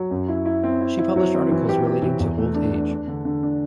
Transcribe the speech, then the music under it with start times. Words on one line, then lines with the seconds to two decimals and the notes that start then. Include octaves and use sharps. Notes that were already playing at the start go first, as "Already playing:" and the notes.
She published articles relating to old age.
Already playing: F#3
0.11 F#2
0.29 E4
0.45 E4
0.63 C4
0.81 E4
0.98 E4
1.16 F#3
1.33 C4
1.51 E3
1.69 G4
1.86 G4
2.02 E3
2.20 E2
2.38 A3
2.55 D4
2.73 D4
2.90 D4
3.08 D3
3.25 D3
3.43 D4